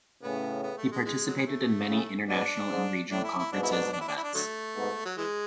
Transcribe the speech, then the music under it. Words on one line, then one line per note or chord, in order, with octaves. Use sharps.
He participated in many international and regional conferences and events.
A2 C#3 B3
B3
A3
G#3
E3 G#3
F#3
G#3
A3
A2 C#3
G#2 B2 D4
G#2
A2 D4
E4
E4
G#2 B2 D4
E4
D4
D4
E4
D4
E4
D4
D3 F#3 A3
G#2 B2
F#3
E3 G#3